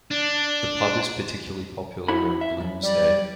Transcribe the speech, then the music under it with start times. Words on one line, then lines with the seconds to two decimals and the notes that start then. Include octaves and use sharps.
The pub is particularly popular on Bloomsday.
0.11 D4
2.08 E4 F#4 B5
2.41 E5
2.57 B1 F#2
2.83 G3 D5